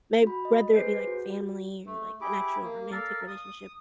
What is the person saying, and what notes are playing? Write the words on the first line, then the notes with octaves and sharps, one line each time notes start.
may whether it be, like, family or, like, an actual romantic relationship,
F#4 B5
D#5
G#4 B4 C5 G6 C7
F#4
A3
E4 G4 G#4 D6
A#3
A4 A#4 D5 F5
D#6